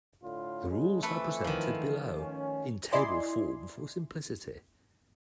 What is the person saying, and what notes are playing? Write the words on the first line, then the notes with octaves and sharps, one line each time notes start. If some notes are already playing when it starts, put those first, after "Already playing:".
The rules are presented below, in table form for simplicity.
A2 D3 F4
C#3 G#3
F2 E3 A3 A4 B4
D#3 F3
C#4
E4 D5 D#5 G#5 C6